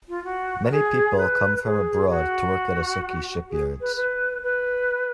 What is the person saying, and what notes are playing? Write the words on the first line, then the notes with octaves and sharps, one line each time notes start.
Many people come from abroad to work at Usuki shipyards.
F4
F#4
A#4
G#4
B4
G#4
F#4
G#4
B4
B4
B4